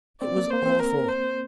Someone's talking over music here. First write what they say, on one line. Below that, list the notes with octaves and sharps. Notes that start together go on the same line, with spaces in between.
It was awful.
C4 D5
A#3
A#3 C5
C4
A#4
C5